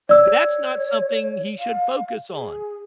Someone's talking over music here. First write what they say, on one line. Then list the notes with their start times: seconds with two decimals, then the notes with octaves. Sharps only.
That's not something he should focus on.
0.09 C#5 D5 E6
1.58 F5
2.32 G#4